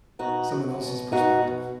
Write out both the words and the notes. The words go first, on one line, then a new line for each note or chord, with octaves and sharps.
someone else's perspective.
B2 D#4 F#4
F#3
B2
B2 D#4 F#4
B2